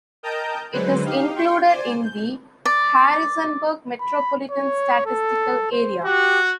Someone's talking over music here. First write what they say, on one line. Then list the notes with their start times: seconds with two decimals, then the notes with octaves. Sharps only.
It is included in the Harrisonburg Metropolitan Statistical Area.
0.23 A#4 D#5 G5 A5 A#5 G6
0.73 D3 F#3 G#3 B4 C5
1.05 D#4 G4 F5
1.35 G5 C6 C#6 G6
1.67 C5 D5 G#5
2.02 G6
2.65 D5
4.00 B5
4.50 C#5
5.06 A4
5.72 C5
6.05 F#4 G4